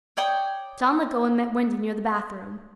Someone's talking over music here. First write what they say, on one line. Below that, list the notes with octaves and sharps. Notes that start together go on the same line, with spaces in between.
John let go and met Wendy near the bathroom.
C#5 D5 G5 D#6